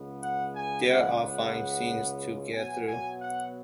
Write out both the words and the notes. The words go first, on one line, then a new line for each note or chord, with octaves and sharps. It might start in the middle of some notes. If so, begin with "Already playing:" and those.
There are five scenes to get through.
Already playing: C#2 C#3 G#3 B3
F#5
G#5
F#5
F#5
B2 F#3 B3 G#5
G#5
F#5